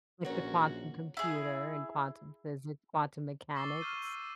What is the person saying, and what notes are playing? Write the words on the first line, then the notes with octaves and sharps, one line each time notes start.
Like, the quantum computer and quantum physics, quantum mechanics.
A#1 C#4 F#4 A#4 C#5
E4 G#4
C#6 D6 E6 A6 C7 G7
C#6 F6 G6 D#7
E6